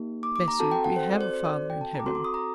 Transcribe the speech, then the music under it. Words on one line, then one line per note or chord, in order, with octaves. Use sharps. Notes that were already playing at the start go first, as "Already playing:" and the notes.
'Bessy--we have a Father in Heaven.'
Already playing: A#3 D#4 G4
D6
D6
A#5
C4 F#4 A4 A5
G5
F#5
C5
D5
C5
C5
D5
G5
A5
A#5
D6
C4 F#4 A4 C6
D6
D#6
A#5